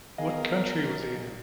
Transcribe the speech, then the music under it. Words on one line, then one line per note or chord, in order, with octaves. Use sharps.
What country was he in?
B3 G#4 A#4 D#5 F5